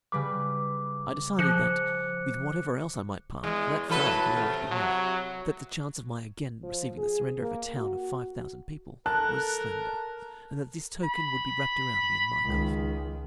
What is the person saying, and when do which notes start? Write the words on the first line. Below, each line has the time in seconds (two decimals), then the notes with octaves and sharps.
I decided that, with whatever else I might part, that flag would always be mine, that the chance of my again receiving the surrender of a town of five thousand people was slender, and that this token would be wrapped around me in my coffin.
0.12 C#3 G3 B4 D6
1.39 F3 G#4 F#6 C#7
3.44 E2 G#3
3.89 E3 F#3 A4 B4
4.37 C3
4.71 F#3
6.63 F3
6.98 G#4
7.41 A#3
7.77 F#4
9.06 A4 A#4 A5 F#6
11.04 B5
12.44 C#2 D#3